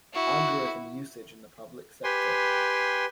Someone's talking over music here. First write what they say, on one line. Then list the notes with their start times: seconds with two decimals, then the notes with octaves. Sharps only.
Algorithm usage in the public sector.
0.13 E4 F#4
2.04 G4 B4 G5 G#5 C6